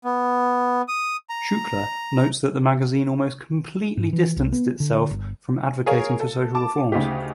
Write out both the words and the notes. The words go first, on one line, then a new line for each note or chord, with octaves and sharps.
Shukla notes that the magazine almost completely distanced itself from advocating for social reforms.
B3
D#6
A#5
G#2
E3
C2
B3
D3
G1
G#4 A#4 C#5 F5
A4
A5 D6
D2 C#3 D#4 G4